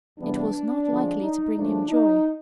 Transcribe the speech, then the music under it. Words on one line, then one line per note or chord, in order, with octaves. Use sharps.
It was not likely to bring him joy.
E2 C3 E3 G3 B3 D4
F2 D3 F3 G#3
D#4
F#2 C#3 F3 A3 D4
D#4